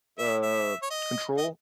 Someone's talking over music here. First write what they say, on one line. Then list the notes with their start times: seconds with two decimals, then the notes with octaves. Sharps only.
uh, control
0.18 E5
0.42 E5
0.82 C#5
0.90 D#5
1.37 D#5